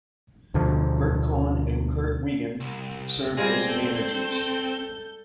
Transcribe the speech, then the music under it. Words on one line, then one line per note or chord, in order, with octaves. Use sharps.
Bert Conn and Curt Wiegand served as managers.
D2 B2 D3 F3
C2
G3 G#3 C4 F4 G#5 A#6
A4 G6